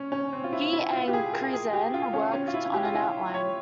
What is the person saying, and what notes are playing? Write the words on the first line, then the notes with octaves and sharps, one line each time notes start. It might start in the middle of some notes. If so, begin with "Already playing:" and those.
He and Krizan worked on an outline.
Already playing: C#4
C#4
C4
F4
E4
E4
F4
G4
G#4
A#4
G#4
G4
F4
C#4
C#4
F4
E4
G4
F4
E4
C#5